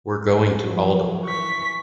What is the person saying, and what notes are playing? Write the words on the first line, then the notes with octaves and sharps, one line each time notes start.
We’re going to Aldover.
F3 F#3
E3 C#6 B6